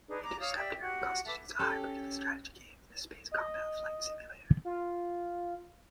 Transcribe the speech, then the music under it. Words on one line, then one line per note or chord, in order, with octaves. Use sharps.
"Interceptor", constitutes a hybrid of a strategy game and a space combat flight simulator.
D4 D#4 G#4 B4
A#5 D6
C#5 F5 D#6
G4 D5 E5 G5
F#4 G4 F#5
A4 B4 E5 D6
C#4 G4 A4
D#5
F4